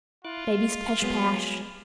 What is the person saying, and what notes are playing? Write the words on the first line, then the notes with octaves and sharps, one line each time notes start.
Baby's Pesh-Pash.
E4 F4 D6 F#6
G#3
F#3 G#3 B3 G#5